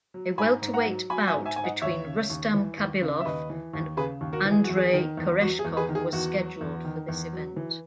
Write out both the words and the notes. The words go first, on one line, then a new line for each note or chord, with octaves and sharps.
A welterweight bout between Rustam Khabilov and Andrey Koreshkov was scheduled for this event.
F#3
G#2 G#5 B5
G#2
F#5 A#5
F#3
F#3 G#5 B5
E5 G#5
G#2
E5 G#5
G#2 G#5
D#5 F#5
D#2 C#5 E5
C#3
D#2
E3
D#2
C#3
E5
D#2 B4 D#5
E3
D#2
C#3 G#4 B4
D#2
F#4 A#4
E3
G#4
F#4
E2
G#4
D#3
E2
F#3 F#4
G#4
E2
G#4 B4
D#3
G#4
E2 F#4
F#3
E2
D#3
E2
F#3
E3